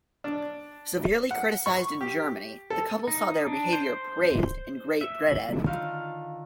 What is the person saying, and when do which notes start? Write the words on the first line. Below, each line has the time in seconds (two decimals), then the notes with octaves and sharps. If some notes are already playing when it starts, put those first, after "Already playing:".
Severely criticised in Germany, the couple saw their behaviour praised in Great Britain.
0.24 D4
1.31 F#5
1.66 C#6
2.01 G4
2.70 A4
3.08 D#4
3.47 D4
3.73 C5
5.01 E5
5.66 D3 D#3 F4 F5